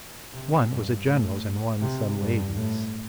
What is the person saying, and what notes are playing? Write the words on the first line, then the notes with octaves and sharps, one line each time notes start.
One was a general's and one some lady's.
C3
G2
A2
C3
G2
A2